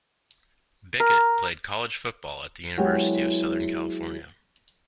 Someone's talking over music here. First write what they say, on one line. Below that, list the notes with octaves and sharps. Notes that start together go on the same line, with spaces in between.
Bickett played college football at the University of Southern California.
A#4
F#3 G#3 B3 E4 G4